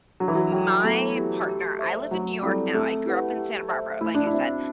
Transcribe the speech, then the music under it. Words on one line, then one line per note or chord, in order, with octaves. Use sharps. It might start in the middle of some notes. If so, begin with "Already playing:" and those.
my partner I live in New York now, I grew up in Santa Barbara, like I said,
F#3 D4
E3
F#3
F#3 A4 E5 G5
A3 B3
E4 G4
G4
C5 E5
F#3 A3
G3 C4 E4 A4
A3 C4
E4 G4 B4 F#5
G4
C5 E5
A3 E4
D4
E4
C4 F#4 C5 E5